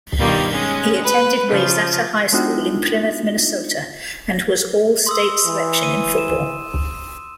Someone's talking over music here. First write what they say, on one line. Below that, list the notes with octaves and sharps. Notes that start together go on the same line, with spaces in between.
He attended Wayzata High School in Plymouth, Minnesota, and was all-state selection in football.
G2 B2 D#3 G3 A#3 F4
G#3 C#4
B4
C#3 F3
G#3 B3 D4 D#4 F4 F#4
C6 D#6 E6
E3
D#7
E7